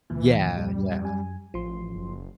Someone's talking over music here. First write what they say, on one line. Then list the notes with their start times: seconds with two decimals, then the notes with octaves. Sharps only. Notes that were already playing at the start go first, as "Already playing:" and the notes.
Yeah, yeah.
0.10 D2 A#2 E3
0.57 G3
1.02 F#2 G#5
1.54 A1 F3 C6
1.94 F#1